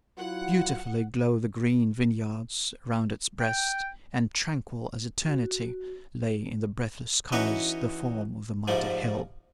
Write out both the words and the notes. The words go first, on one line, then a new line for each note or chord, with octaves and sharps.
Beautifully glowed the green vineyards round its breast, and tranquil as eternity lay in the breathless skies the form of the mighty hill.
F#3 E4 F4 F#5
G5
F#4
E3 C#4 D#4 F#4 B4 C#5
G#2 F3 G3 A3